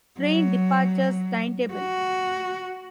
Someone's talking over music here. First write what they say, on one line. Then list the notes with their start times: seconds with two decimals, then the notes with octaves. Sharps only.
Train departures timetable.
0.20 F#3
1.73 F#4